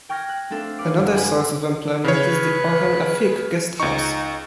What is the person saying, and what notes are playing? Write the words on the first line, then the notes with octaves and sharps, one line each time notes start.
Another source of employment is the Orhan Afik guesthouse.
G5 C#6 F6 G#6 A#6
F#6
A3 C4 D4 A4 F5
B4 F5 D6
F#1
G4 B4 G#5 C6
C#3 B4 C#5
C#2 D#4 C#6